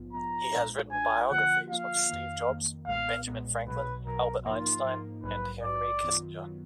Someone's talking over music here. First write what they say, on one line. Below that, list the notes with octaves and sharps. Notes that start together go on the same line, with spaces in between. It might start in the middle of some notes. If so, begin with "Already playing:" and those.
He has written biographies of Steve Jobs, Benjamin Franklin, Albert Einstein, and Henry Kissinger.
Already playing: A#1 G#2 F3 B3 F4
A#1 G#2 F3 B3 F4 A#5
B1 A#2 G#3 D4 F4
B1 A#2 G#3 D4 F4 G#5
D3 F3 A#3 F4 F#5
D3 F3 A#3 F4 F5
F2 D#3 A#3
F2 D#3 A#3
B1 A#2 G#3 B3 F5
B1 A#2 G#3 B3
B1 B2 F#3 B4
B1 B2 F#3 A#4
G#2 F3 A#3 D#4 F4 A#4
G#2 F3 A#3 D#4 A#4
A#1 G#2 F#3 B4
A#1 G#2 F#3 D5
F#2 D#3 F#3 B3 F4
D#3 F#3 B3 F4